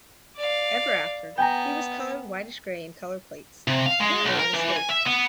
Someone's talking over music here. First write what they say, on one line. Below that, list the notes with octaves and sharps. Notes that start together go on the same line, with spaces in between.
Ever after, he was colored whitish-grey in color plates, apparently a mistake.
D5 F5
B3 G5 G#5 A#5
C3
F5
G#3
B1
A#4
E3
G#5
E5
B3